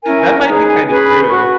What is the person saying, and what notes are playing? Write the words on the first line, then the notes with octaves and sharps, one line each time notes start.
That might be kind of true,
C#4 E4 A#4 G#5
D#4 G#4 B4 A#5
G#5
C#4 G#4 B4 G#5
B5
B5
F#4 B4 C#6